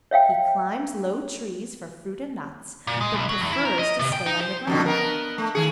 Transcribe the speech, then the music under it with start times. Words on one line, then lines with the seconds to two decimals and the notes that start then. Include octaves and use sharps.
He climbs low trees for fruit and nuts, but prefers to stay on the ground.
0.11 C#5 E5 F5 G5
2.87 A#2
3.01 G#3
3.15 B1
3.29 F#3
3.41 E2
3.52 E4
3.65 A#4
3.79 D#5
3.99 C3
4.13 G5
4.26 D#4
4.41 C5
4.67 F2 B2 D3
4.86 B3 A#4
5.38 A3
5.55 D#3 G#4